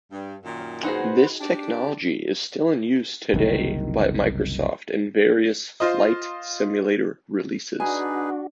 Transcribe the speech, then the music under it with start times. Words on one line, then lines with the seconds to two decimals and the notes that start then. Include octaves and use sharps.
This technology is still in use today by Microsoft in various Flight Simulator releases.
0.12 G2
0.44 F#2 A#2 D#3
0.84 D#4 F#4 G#4 B4 C5 F#5
1.40 D4 G4
3.34 F#1 C2 D#3
5.80 F4 C5 D#5
7.80 D4 D#4 F#4 G#4 B4 G#5